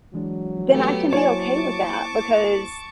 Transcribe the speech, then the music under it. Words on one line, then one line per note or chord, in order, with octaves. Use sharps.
then I can be okay with that because,
E3 F#3 G#3 D4
A3 B3 G4
A#3 E4 C5 C#5 G#5 A5 C#6 D6